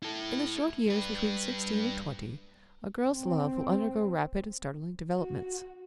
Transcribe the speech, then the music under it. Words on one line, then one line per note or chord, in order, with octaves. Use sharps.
In the short years between sixteen and twenty a girl's love will undergo rapid and startling developments.
E4 A4
G2 B4
C4
F#4